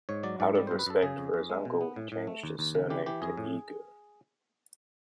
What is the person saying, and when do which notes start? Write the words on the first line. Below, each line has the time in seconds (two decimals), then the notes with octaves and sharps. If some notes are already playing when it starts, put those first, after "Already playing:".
Out of respect for his uncle he changed his surname to Eger.
0.09 G#2 C#5
0.23 F#3 D5
0.40 G#2 D5
0.55 G3 D5
0.67 F#2 C5
0.79 B4
0.87 F#2 A4
1.02 C#3 G#4
1.18 F2
1.34 F2
1.49 G#3
1.65 B2
1.81 B3
1.96 A2
2.12 A2
2.27 A3
2.43 D#2
2.59 D#2
2.75 C#3
2.90 E3 G4
3.06 E3 G4
3.22 F2 G#4
3.37 A2